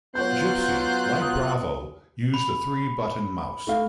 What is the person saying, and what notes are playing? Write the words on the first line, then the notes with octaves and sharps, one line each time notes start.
Gypsy, like Bravo, used a three-button mouse.
F#3 B3 F4 C5 C#5 F#6 G6
D#6
B5
A3 F5